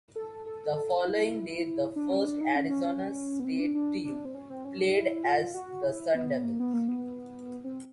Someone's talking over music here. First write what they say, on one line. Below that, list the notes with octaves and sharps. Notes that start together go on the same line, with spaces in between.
The following day, the first Arizona State team played as the Sun Devils.
A4
A4
A4
E4
D4
C#4
D4
D#4
C#4
C#4
C#4
B3
C4
D4
D4
D4
C4
C#4
C4
C#4
D4
E4
F4
F#4
E4
B3
A#3
B3
A#3
B3
C4